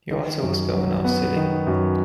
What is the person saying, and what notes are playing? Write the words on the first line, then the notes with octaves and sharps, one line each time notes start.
He also was Governor of Scilly.
D#3
F#2
F#3
B3
D#3
F#2